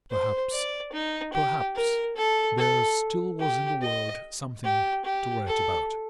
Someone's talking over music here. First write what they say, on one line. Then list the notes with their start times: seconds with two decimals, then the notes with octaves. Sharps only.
Perhaps, perhaps, there still was in the world something to write about.
0.10 C5
0.52 D5
0.93 D#4
1.33 G4
1.75 A#4
2.16 A4
2.58 A4
3.40 G4
3.82 D#5
4.64 G4
5.05 G4
5.47 A4